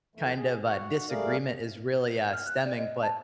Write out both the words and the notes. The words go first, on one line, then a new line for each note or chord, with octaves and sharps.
kind of, uh, disagreement is really, uh, stemming. But
D2 E3 A3
G#4
F#4 F#5
G3 A3 G#4 A#4 D5 F5
F6
F#6
D5
D#5
A5